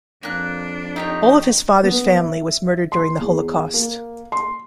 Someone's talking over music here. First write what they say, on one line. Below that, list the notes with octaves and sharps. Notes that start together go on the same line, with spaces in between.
All of his father's family was murdered during the Holocaust.
F2 A#3 D4 F#6
C4 D#4 G4 C#5
B3
E5
C6
E2
A#3
C6